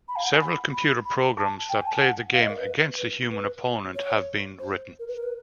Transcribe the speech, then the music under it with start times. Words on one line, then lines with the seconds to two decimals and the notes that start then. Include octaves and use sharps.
Several computer programs that play the game against a human opponent have been written.
0.08 B5
0.16 F5
0.24 F#5
0.33 G#5
0.41 B5
0.73 B5
1.05 B5
1.37 A5
1.69 G5
1.77 G#5
1.86 A5
1.93 G#5
2.01 F#5
2.33 F5
2.41 D#5
2.50 A#4
2.58 B4
2.98 B4
3.30 B4
3.95 C#5
4.59 C5
4.99 A#4
5.08 B4
5.15 A#4
5.23 B4